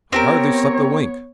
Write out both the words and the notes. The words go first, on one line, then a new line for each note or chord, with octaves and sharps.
"I hardly slept a wink."
B3 C4 G4 A#4 C#5